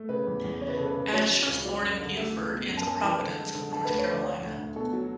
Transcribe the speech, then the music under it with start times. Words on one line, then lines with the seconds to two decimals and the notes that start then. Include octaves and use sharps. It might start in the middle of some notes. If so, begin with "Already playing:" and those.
Ashe was born in Beaufort in the Province of North Carolina.
Already playing: A3
0.09 C#3 B4
0.27 E2
0.44 E2
0.61 C#3 C#5
0.69 B4
0.77 C#3 A4
0.86 B4
0.95 C#3
1.13 F#3 C#5
1.31 F#3
1.48 C#2
1.65 F#3 D5
1.81 F#2
1.99 D3
2.16 A3 E5
2.34 C#2
2.52 B2
2.69 F#2
2.77 A5
2.86 F#2 G#5
2.96 A5
3.03 E3
3.20 D3
3.38 G#3
3.55 D3
3.72 D3 A5
3.85 D2 B4
3.98 C#5
4.06 D3 D5
4.23 D3 C#5
4.41 D2
4.58 D2
4.76 B2 A4
4.93 F#3